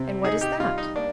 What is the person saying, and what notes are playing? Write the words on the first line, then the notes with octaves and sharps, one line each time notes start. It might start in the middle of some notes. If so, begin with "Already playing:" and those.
"And what is that?"
Already playing: C3 C4
D#4 G#4
G4
G3 F4
D#4
A#3 D4